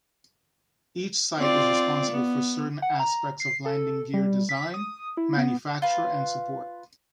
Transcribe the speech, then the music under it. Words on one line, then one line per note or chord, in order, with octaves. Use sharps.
Each site is responsible for certain aspects of landing gear design, manufacture and support.
C4 F4 D5
B3
F#5
A#5
C7
A4
G3
B6
D#6
E4
B3
F4 B4